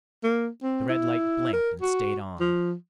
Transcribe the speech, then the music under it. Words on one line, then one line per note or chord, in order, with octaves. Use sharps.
The red light blinked and stayed on.
A#3
C4
E4
A#4
F#4
F3